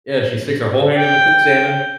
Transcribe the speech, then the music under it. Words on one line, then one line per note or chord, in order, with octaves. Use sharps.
yeah, she sticks her whole hand in the cooked salmon,
G5